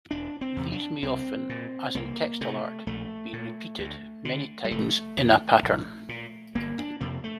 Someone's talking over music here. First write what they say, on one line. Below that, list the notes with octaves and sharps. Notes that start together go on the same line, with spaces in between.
These may often, as in textile art, be repeated many times in a pattern.
E1 D4
C4
E2 C3
D4
C2 C4
A#2
C2 A#3
C3 A3
A#1 A3
A#2
D2
D3
G3
F1 A3
E2 D3
A#1
A#2
G1 A#3
D4
F2 C3 A#3
A3